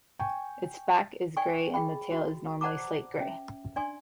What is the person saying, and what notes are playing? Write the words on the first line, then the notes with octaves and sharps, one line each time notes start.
Its back is gray and the tail is normally slate-gray.
G5 G#5 C#6
D5 G5 G#5 C#6
G#4 G5 B5
F#4
C5 D5 F#5 A5 A#5 D6
C#4 E5
D4 D5 G#5 C6